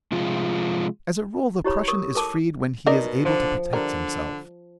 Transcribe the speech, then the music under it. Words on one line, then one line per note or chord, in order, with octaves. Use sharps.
As a rule, the prushun is freed when he is able to protect himself.
C3 F3 G#3 F4
E4 G4 C#5 B5
A#4 C#6 D#6
A4 A#4 A5 D6
B2 D#4 A#4 D5
D3 F3
D3 G3 A#4